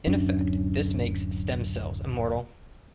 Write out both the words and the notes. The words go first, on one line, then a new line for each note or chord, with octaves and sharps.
In effect this makes stem cells immortal.
D1 F#2 C#4 D4